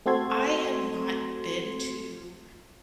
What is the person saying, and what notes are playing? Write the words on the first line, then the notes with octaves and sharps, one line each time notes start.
I have not been to
A3 C4 F#4 A4 C6 G#6